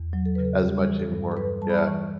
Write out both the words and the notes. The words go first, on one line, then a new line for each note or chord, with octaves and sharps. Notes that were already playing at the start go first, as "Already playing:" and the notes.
as much anymore. Yeah.
Already playing: E2
F#3
A4
C#3 B4
A4
G3 G4
E3
A4
G2
A4
G2 B4
G3 A5
B5
A5
E3 C#6